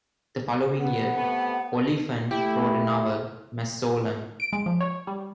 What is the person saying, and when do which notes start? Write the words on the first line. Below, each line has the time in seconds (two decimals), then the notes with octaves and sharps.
The following year, Oliphant wrote a novel, "Masollam".
0.79 B3 F#5
1.14 C3 A3 B3
2.31 A3 E4 G4
4.40 D7
4.53 G#3
4.66 F3
4.81 C#5
5.07 G3